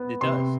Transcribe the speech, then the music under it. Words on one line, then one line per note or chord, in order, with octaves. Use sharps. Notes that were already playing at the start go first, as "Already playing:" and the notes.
It does.
Already playing: B3
C3 C6